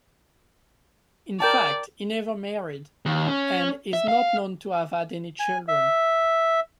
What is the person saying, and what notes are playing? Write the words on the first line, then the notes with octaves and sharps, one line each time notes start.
In fact, he never married, and is not known to have had any children.
A#4 D5 G5 A5
D#2
C#4
E5
F5
G#5
E5